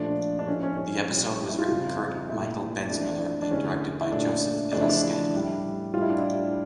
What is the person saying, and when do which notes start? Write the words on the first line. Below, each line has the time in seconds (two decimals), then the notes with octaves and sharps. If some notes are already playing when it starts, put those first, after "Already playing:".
The episode was written Kurt Michael Bensmiller and directed by Joseph L. Scanlan.
Already playing: A#2 F3 A3 D4
0.39 D4
0.47 A2 F3 A3 C#4
0.63 C#4
0.77 C#4
1.08 A#2 G3
1.49 E4
1.59 F4
1.69 F2 C#3 G3 F4
2.29 A#2 A3 E4
2.90 F2 E3 A3 D4
3.42 D4
3.51 E2 D3 A3 C#4
4.01 E4
4.12 A#2 A3 D4
4.72 E2 C#3 F3 A3 D4
4.81 E4
4.89 D4
5.33 A2 G3
5.94 A2 G3 F4
6.02 E4
6.10 D4
6.19 E4